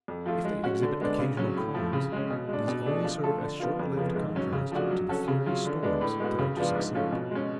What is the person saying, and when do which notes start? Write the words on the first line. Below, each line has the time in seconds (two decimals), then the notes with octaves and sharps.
If they exhibit occasional calms, these only serve as short-lived contrast to the furious storms that are to succeed.
0.08 F2
0.26 F3 A3 F4
0.45 G#3
0.63 C#4 F#4
0.82 D3
1.01 G#3 B3 D4
1.19 C#3
1.37 F#3 C#4
1.57 A2
1.74 F3 A3
1.93 C#3
2.12 G#3 C#4
2.30 B2
2.49 G#3 D4
2.68 B2
2.86 A3 D4 G#4
3.04 F3
3.23 A3 F4 A4
3.41 D3
3.60 F3 B3 F4
3.79 F2
3.97 C#3 F3 B3
4.15 G#2
4.35 F#3 C#4
4.53 C#3
4.72 F3 A3 D4 F#4
4.91 F#3
5.09 C#4 F#4 A4
5.28 C#3
5.46 F#3 C#4 F4
5.65 D3
5.83 G#3 B3 D4
6.01 A2
6.20 G#3 B3 F#4
6.39 C#3
6.57 F3 B3 D4 F4
6.75 G#2
6.94 F3 A3 C#4 F4
7.12 B2
7.31 G#3 C#4